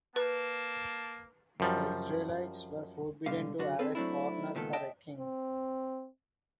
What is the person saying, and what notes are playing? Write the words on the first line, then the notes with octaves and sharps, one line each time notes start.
The Israelites were forbidden to have a foreigner for a king.
A#3 B4 A5
F#2 F3 G3
C#2 B2 D3 G3 F5
F#2 D3 F#4
C4 G#4 A4 B4
F#3 A3 C4 D4 E4
C#2 A#2 D#3 B3 A4
D#5 E5 G5 A5
C4